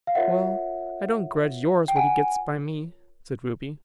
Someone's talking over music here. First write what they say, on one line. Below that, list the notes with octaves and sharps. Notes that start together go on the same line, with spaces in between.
"Well, I don't grudge yours what he gets by me," said Ruby.
F5
F4 A#4 C#5 E5 F#5
G5
F#5 G#5